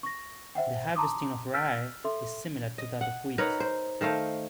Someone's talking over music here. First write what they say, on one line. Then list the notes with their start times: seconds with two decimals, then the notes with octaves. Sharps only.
The harvesting of rye is similar to that of wheat.
0.03 C#6 A#6
0.55 C5 E5 F#5 G5
0.96 A5 A#5 C6 D6 D#6
1.54 E6 F6 G6 A6 B6 D7
2.04 A4 E5 C6
2.78 D#5
3.01 F#5
3.38 D#4 A#4 B4 C#5
3.60 C5
4.01 D#3 A3 C5 F5